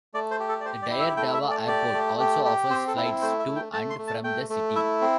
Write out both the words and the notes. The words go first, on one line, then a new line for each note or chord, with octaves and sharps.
The Dire Dawa Airport also offers flights to and from the city.
A3 D5
C5
G4
A4
D5
G4 C5
D5
E4
E5
A3 G5
E5
A3
D5
G4 D5
A3
G4
G4
C4 C5
A4
E4
A4
A3 C5
E5
A3
G5
A3 A5
C6
A3
A5
A3 G5
A3
E4 E5
C4